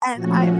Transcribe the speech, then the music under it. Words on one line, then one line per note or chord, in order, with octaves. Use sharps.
And I'm
A#2 F3 A3 C#4 F#4